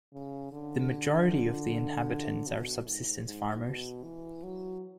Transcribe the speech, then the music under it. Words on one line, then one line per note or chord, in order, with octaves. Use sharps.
The majority of the inhabitants are subsistence farmers.
C#3
D3
B2
G#2
G#2
B2
E3
F#3